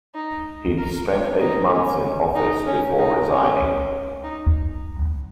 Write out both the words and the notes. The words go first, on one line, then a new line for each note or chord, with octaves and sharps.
He'd spent eight months in office before resigning.
D#4
A#4
C#5
D#4
C#4
D#4
C#4
D#4
C#4
D#4